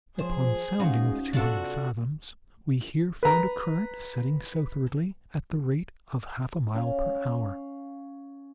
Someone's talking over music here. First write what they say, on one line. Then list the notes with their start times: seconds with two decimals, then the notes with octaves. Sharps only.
Upon sounding with two hundred fathoms, we here found a current setting southwardly at the rate of half a mile per hour.
0.19 F3 G#4 C5
0.80 G#3 C#4 D#4 F4 F#4
1.33 C3 D4 F4 F#4 A4
3.23 B4 A#5
6.74 C#4 F5